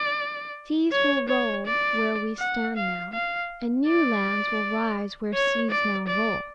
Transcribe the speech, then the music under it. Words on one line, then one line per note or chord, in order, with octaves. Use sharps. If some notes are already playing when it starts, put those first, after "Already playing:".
Seas will roll where we stand now, and new lands will rise where seas now roll.
Already playing: D5
C#5
C#5
D5
F#5
F5
F5
D5
C#5
D5
D5